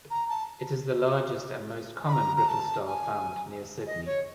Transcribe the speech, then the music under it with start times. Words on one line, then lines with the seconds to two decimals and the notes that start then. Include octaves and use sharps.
It is the largest and most common brittle star found near Sydney.
0.10 A#5
0.29 A5
2.08 B5
2.13 A#5
2.37 A#5
2.48 A5
2.87 G#5
3.87 D#5
4.06 C#5